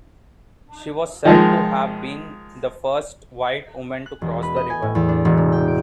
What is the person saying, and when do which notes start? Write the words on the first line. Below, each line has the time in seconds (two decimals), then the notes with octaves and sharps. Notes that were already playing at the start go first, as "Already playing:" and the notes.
She was said to have been the first white woman to cross the river.
1.25 D#3 F3 G#3
4.06 F#6
4.22 E1
4.43 B4
4.56 D#5
4.70 G#5
4.82 A2
4.95 E2
5.09 D4
5.25 E1
5.37 C3
5.52 G5
5.68 D7